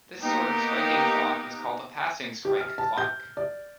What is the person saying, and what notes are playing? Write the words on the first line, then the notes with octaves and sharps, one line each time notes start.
This sort of striking clock is called a "passing strike" clock.
A#3 B3 D#4 G4 A#4
G4
F6
A5
G6
D5